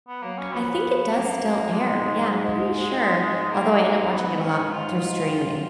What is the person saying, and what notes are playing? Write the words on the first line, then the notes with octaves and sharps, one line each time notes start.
I think it does still air, yeah, I'm pretty sure, although I end up watching it a lot through streaming.
B3
F#3 A#3
C#4
F3 B3
F#2 A#3
G#2 G#3
G#3
G#2
A#3
A#3
B3
C#4
G#2 F4
F#2